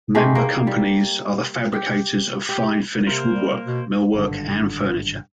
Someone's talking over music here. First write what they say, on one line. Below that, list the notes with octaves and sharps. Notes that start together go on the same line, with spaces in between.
Member companies are the fabricators of fine finished woodwork, millwork, and furniture.
G#2 G#3 A3 G4
A#3
G3
G4
G4
C3 A#3 A#4 C5
G3
B2
G#1 G2 D3